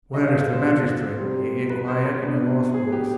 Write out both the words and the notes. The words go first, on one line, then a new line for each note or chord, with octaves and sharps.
"Where is the magistrate?" he inquired, in a hoarse voice.
D3 G3 C4 D#4 D#5
F5
F5
C5
G#4
C3 G3 C4
B4
C5
B4
B2 B3 D4
G#4
G4